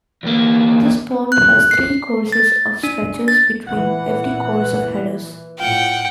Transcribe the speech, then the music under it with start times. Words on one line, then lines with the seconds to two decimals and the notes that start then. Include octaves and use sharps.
This bond has three courses of stretchers between every course of headers.
0.23 E2 A#3
1.32 F#6
1.71 C7
2.32 A6
2.83 D4
3.28 A6
3.67 A#2 E3 F#5
5.59 A2 F4 F#5 G5